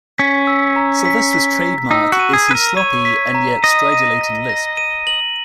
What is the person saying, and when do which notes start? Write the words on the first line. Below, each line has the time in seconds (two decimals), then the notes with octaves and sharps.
Sylvester's trademark is his sloppy and yet stridulating lisp.
0.18 C#4 B6
0.47 E6
0.76 A#5
1.05 B6
1.33 B6
1.62 A#5
1.91 D#4 E6
2.12 F#4
2.19 D#7
2.33 G#4
2.48 B4 D#7
2.55 A#4
2.77 C#5 D#7
3.05 B6
3.34 A#5
3.63 D#5 D#7
3.92 D#7
4.21 A#6
4.49 A#6
4.77 D#7
5.07 F#7